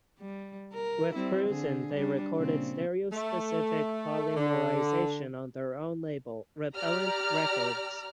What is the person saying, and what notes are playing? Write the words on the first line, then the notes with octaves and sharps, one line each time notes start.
With Krusen they recorded "Stereo Specific Polymerization" on their own label, Repellent Records.
G3
A#4
G3 C4 E4
D3 G#4
G3 D4
A#2 C#3 C4
A3
D3
G4 D5 A#5 F6